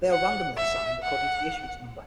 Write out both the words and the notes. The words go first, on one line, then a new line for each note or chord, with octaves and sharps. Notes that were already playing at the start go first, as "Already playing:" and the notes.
They are randomly assigned according to the issuance number.
F#5
E5
F#5